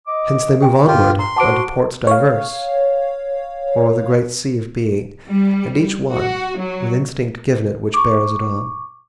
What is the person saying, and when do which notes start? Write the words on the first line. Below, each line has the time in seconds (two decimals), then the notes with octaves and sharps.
Hence they move onward unto ports diverse O'er the great sea of being; and each one With instinct given it which bears it on.
0.07 D#5 D6
0.62 G5 G#5
0.87 G2 F4 G4
1.19 A#5 C6
1.36 F#4 C5 F#5 A5 D6 D7
2.07 C#5 F5
5.28 G3
6.12 F#4
6.59 F#3
7.94 C#6 D6